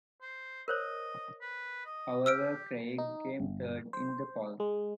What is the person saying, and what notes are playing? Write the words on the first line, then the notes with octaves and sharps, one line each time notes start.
However Craig came third in the poll.
C5
A#4 C5 C#5 D#5
B4
D#5
G4 E6 F6 D7
D#4
G1
C5
G#3